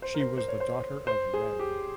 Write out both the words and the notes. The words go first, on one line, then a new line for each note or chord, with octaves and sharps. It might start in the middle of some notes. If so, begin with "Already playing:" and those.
She was the daughter of Rev.
C5
A#4
C5
C5
C#5
C5
C5
G#4
G4